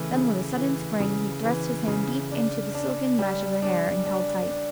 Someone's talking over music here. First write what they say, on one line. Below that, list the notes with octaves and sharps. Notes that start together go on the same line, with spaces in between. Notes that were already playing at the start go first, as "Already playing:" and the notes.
Then with a sudden spring he thrust his hand deep into the silken mesh of her hair and held tight.
Already playing: C#3 E3 A3
C#3
E3
C#3
E3
C#3
D4
D4
G3
D4
D4
D4